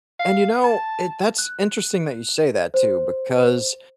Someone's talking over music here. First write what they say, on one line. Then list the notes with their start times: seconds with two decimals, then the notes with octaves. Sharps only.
And you know, it that's interesting that you say that too because
0.20 F5
0.64 A5
1.38 F#6
2.74 C5